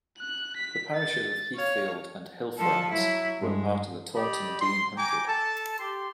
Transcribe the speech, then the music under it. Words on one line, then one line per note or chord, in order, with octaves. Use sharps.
The parishes of Heathfield and Hillfarrance were part of the Taunton Deane Hundred.
F#6
B6
A6
C#5 F5
F3 A4
F#3 E4
G2 G#3
G4 D5 D#5 B5
C6
G5 G#5 A#5 D6
A4 A5
G4 C6